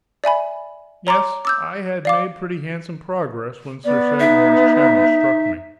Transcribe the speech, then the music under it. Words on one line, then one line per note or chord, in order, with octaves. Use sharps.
Yes, I had made pretty handsome progress when Sir Sagramor's challenge struck me.
D5 E5 G#5 B5
C#5 A#5 C6 D6
D6 E6 G6
D5 F5 D6
B3 D5
D#4 E5